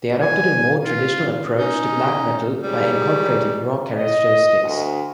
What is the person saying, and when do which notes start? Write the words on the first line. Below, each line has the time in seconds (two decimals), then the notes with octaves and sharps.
They adopted a more traditional approach to black metal by incorporating raw characteristics.
0.20 G#5
0.85 F4
1.59 C#4 D#4
2.63 G#2 F#3 G3
3.95 D#5
4.63 D2